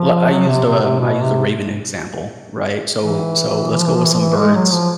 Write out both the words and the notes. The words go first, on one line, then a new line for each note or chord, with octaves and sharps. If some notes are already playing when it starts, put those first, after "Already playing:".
li I used a um, I used a raven example, right? So so, let's go with some birds,
Already playing: F3
F#3
C3
C3
C3
B2
C3
E3
E3
F3
E3
F3
E3
F3
E3
G#3
F#3
F3